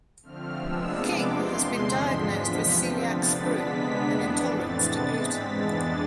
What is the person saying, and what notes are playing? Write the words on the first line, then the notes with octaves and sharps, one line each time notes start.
King has been diagnosed with celiac sprue, an intolerance to gluten.
D3 F3 A3 C4 F6
C3 F3 G#3 B3 D4 E6
C3 G#3 B3 D4 D6
E2 C3 F3 C6
E2 D3 G#3 C4
G#2 F3 G#3 D4 B6
E2 C3 F3 B3
D3 F3 A3 C4
C3 F3 B3 D4 A6
D3 G#3 B3 D4 B6
C3 G#3 B3 D4
F2 E3 B3 D4
A2 E3 A3 C4 A6
C3 G#3 B3 D4 A6
G#2 G#3 C4 B6
F2 E3 G#3 B3 D4 A6